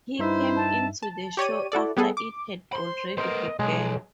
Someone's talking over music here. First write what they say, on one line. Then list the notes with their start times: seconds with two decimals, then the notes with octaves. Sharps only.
He came into the show after it had already begun.
0.19 G2 D#4 E4 C5 E5
0.56 A5
1.03 A5
1.37 G4 C#5 D5 D#7
1.72 E4 F#4 A4 D5
1.97 G3 B3 G#4 A4
2.17 D6
2.72 C5 B5 C6
3.18 B3 A#4 C5 D#5
3.59 B1 G#3 G#4